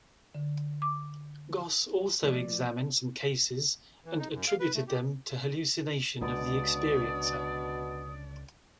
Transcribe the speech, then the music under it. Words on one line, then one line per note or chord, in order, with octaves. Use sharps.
Goss also examined some cases and attributed them to hallucination of the experiencer.
D3
D6
F3 A3 D5
E3
D#4
F#2
F5
B4
A3
G4
C#2 B2 D3 D4 D5 D#6